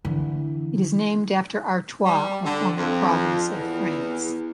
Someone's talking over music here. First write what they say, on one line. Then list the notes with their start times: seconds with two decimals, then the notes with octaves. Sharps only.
It is named after Artois, a former province of France.
0.05 D3 E3
2.04 G3
2.44 D3
2.77 F2
3.50 E2